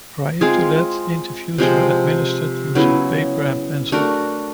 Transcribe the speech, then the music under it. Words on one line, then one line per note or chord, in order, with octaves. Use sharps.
Prior to that, interviews were administered using paper and pencil.
G#3 C4 F4 G#4
C3 F3 G#3 C4
C#3 F#3 B3 E4
A3 D4 F#4 A#4